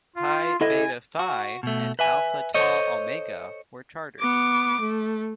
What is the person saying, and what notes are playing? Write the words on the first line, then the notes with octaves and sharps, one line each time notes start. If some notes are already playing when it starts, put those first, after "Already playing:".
Pi Beta Phi and Alpha Tau Omega were chartered.
F4
E4 A4 D#5 G#5
F#4
B2 A3
B4 E5 G#5
A4 C5 C#5 D#5
B3 D6
A3